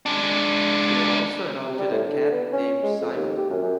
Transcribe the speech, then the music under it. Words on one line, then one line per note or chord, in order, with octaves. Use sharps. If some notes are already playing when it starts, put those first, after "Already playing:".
They also adopted a cat named Simon.
G#3 D4
C3
G3
A2
D3
B3
C#4
G#3
F2
D#2
G4
F#2
F#2